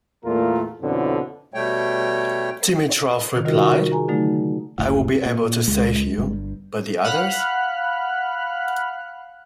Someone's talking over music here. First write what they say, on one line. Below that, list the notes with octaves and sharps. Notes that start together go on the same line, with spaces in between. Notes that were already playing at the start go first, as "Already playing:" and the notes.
Dimitrov replied, I will be able to save you, but the others...?
E2 A#2 A3 A#3 F4 A#4
F2 B2 D3 C#4 E4
B2 G3 A3 C#5 G5
C3 D#3
G3 D#4 F4 F#4 A#4 D#5
A#4 C#6
G#4 G#5 A#5
D3 F#3 A3 D#4
F#1 D2 A2
A#2
C#2 G#3
G1 G2
F5 F#5 B5 F6 F#6